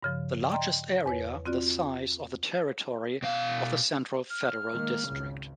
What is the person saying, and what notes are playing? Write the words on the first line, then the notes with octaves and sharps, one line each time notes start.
The largest area the size of the territory of the Central Federal District.
G2 C#3 F3
D5 D#5 G5 A#5 C6
E2 B4 C#5
C4 F4 F#4 D5
B2 F5
F6
D#3 G#3 A#3
G#1 C#2 C#3